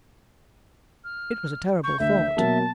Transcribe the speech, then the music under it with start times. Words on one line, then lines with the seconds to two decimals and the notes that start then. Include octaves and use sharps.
It was a terrible thought.
1.04 F6
1.84 C#6 G6
2.00 D2 E5
2.37 B2 F#3 A#3 A5